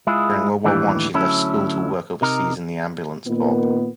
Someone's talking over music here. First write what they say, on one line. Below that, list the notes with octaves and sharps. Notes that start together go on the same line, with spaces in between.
During World War One, she left school to work overseas in the ambulance corps.
G#3 E4 F4 G#4
D#2 A2 E3 G3 D4
D2 F#3 C#4 E4 A4
C3 D#4 A#4
A#2 D#3 B3